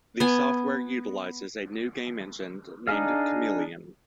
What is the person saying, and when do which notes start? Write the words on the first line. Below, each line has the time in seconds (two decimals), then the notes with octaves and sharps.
The software utilizes a new game engine named Chameleon.
0.20 B3 G#5
2.87 D4 D#4 G#4 F5